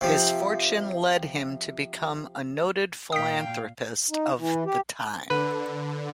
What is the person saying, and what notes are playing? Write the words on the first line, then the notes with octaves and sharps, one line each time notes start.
His fortune led him to become a noted philanthropist of the time.
C3 F3
A#2 F5 G5 D#6 B6
D#4
E3
G4
D3 B4